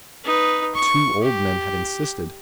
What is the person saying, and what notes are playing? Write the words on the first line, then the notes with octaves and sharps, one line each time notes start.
The two old men had insisted.
D#4 B4
C#6
G4